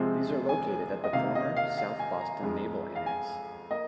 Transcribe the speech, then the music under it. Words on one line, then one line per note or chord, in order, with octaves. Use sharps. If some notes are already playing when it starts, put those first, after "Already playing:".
These are located at the former South Boston Naval Annex.
Already playing: C3 F3 G#3 C4
G#5
D#5
C3 D#3 A#3 F5
D#5
F5
F5
G#5
A#5
F2 F3 G#3
F5
G#5
A#3 D#5